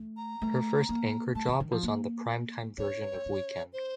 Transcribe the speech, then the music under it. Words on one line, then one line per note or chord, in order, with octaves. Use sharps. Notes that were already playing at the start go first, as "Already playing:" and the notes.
Her first anchor job was on the prime-time version of "Weekend".
Already playing: A3
A#5
A3
A#3
A3 A5
D#3
D#3
F3
A#3
C#4 C#5
C4
C#4
C5